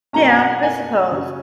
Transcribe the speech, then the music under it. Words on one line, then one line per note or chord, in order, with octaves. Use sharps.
Yeah, I suppose.
B2 F#3 A#3 C#4 A#5
G#5
F#5
G#5
C#3 F#3 C#4